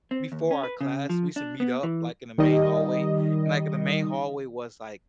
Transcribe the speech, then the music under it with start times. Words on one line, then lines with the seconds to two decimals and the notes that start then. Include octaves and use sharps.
before our class, we used to meet up, like, in the main hallway, and, like, in the main hallway was, like,
0.11 C4
0.32 D#2
0.51 C#4
0.63 B4
0.81 C#3
1.09 F3
1.36 D4
1.60 B3
1.83 E3
2.38 D#3 G3 D#5